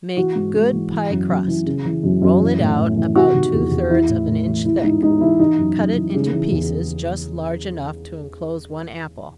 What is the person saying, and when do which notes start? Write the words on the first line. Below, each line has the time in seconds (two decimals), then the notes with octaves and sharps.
Make good pie crust--roll it out about two-thirds of an inch thick, cut it into pieces just large enough to enclose one apple.
0.17 E3 F#4
0.35 G#2
0.54 G#2
0.73 E3
0.91 E3
1.10 F#2
1.29 F#2
1.48 E3
1.66 C#3
1.85 E3
2.03 F#2
2.22 F#2
2.41 E3
2.60 A2
2.78 A2
2.97 E3
3.15 C3 F#4
3.34 D#3
3.53 E2
3.71 E2
3.90 E3 E4
4.09 A2
4.27 A2
4.47 E3
4.65 E3 E4
4.78 E4
4.83 G#2 D#4
5.02 G#2 D#4
5.21 E3 E4
5.39 E3 D#4
5.58 F#2
5.77 F#2
5.96 E3
6.14 C#3
6.33 E3
6.52 E2